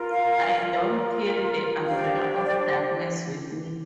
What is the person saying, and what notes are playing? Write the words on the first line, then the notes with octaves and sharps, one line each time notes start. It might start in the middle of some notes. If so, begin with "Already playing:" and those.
I don’t carry the umbrella of darkness with me.
Already playing: F4 A#4
F5
F4 A#4
D4 G4 C5 F5
D5